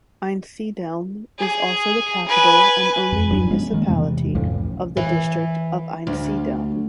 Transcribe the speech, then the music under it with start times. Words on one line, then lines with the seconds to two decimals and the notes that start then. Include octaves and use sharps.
Einsiedeln is also the capital and only municipality of the District of Einsiedeln.
1.39 G#4
2.28 B4 G#5
3.12 F2
3.30 D1 F#2 F#3 D4
3.51 G#3 B3 C#4
3.73 D#3 A3 A#3
3.87 E2 C3 E3 G#3
4.35 B1 F2 A2 C#3
4.97 E3
6.07 D2